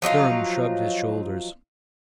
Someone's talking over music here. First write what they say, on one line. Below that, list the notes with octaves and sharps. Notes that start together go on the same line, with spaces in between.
Durham shrugged his shoulders.
F3 F#3 D#4 F4